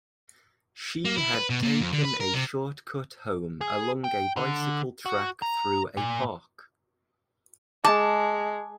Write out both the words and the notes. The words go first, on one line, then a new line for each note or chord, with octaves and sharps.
She had taken a short cut home along a bicycle track through a park.
A#3
E4
B4
B2
A#2
F2
D3
B4
A#4
C3
G#4
G5
D3
F#4
A#5
A#2
G#3 A5 D6